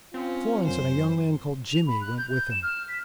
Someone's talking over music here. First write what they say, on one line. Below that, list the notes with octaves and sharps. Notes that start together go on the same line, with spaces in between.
And Florence and a young man called Jimmy went with him.
C4 C#4 F4
F#2 C5
F7
B5
F#6
G6
G6
E7
F6
B6